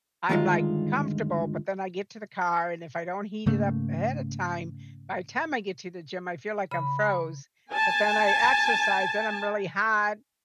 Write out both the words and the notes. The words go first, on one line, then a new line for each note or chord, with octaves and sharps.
I'm, like, comfortable, but then I get to the car, and if I don't heat it up ahead of time, by the time I get to the gym, I feel like I'm froze. But then I exercise, then I'm really hot,
D2 G2 D#3 G#3 F4
G#2 C#3 A3 A#3
C#3 B5
G#5 A5